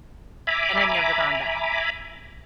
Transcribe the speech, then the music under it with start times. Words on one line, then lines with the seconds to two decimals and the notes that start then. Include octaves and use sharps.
and I've never gone back.
0.47 E5 G#5 A#5 B5 D6